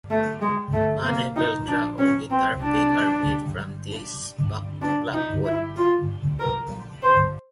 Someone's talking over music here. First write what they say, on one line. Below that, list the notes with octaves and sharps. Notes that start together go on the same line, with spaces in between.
Many plectra, or guitar picks, are made from this black wood.
A3
G#3
A3
A#3
D#4
D4
C#4
C4
D4
D4
D#4
E4
F4
A#4
C5